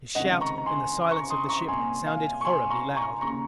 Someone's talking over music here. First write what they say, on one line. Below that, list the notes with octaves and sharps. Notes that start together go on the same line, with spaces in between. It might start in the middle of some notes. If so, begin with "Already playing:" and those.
His shout in the silence of the ship sounded horribly loud.
C#2 C3 D#3 D#5 F#5
A#5 C#6
A#5
G#5 C6
A#5 C#6
C6 D#6
A#5 C#6
C2 A#2 G#5 C6
F5 G#5
C#6
G#5 C6
A#5 C#6
A#5 C#6
D#2 C#3 A#5 C#6